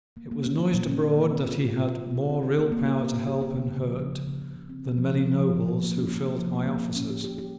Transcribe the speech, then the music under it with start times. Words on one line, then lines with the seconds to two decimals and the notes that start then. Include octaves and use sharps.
It was noised abroad that he had more real power to help and hurt than many nobles who filled high offices.
0.17 A#3
0.31 A#3
0.46 C#4
0.60 A#3
0.74 A#2
0.88 C#4
1.03 C#4
1.16 A#3
1.30 C4
1.45 F4
1.59 F4
1.73 F4
1.86 C4
2.01 F4
2.15 F4
2.30 C4
2.43 G4
2.58 A#3
2.72 A#3
2.85 G4
3.01 G4
3.14 G4
3.28 G4
3.42 G4
3.56 C#3
3.71 C#3
3.85 F3
3.99 C#3
4.13 C#3
4.27 C#3
4.42 C#3
4.56 C#3
4.69 C4
4.83 C4
4.98 F3
5.13 F3
5.26 F3
5.41 F3
5.55 F3
5.68 F3
5.83 A#3
5.98 C#4
6.11 A#3
6.25 F3
6.39 F3
6.53 A#3
6.67 A#3
6.82 A#3
6.96 C#4
7.10 G4
7.24 G4
7.38 G4